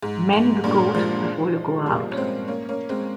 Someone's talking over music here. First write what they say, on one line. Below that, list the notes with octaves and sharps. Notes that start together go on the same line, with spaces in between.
Mend the coat before you go out.
G#2
G#2
G2 A#2
F3 G#3
G3 A#3
C#4
G#3 C4
A#3 C#4
A#3 C#4
G#3 C4